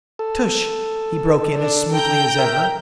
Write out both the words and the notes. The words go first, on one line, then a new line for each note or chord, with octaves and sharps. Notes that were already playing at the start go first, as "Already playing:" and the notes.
"Tush," he broke in as smoothly as ever.
A4
D4
G5 A#5 G6
A#4 E5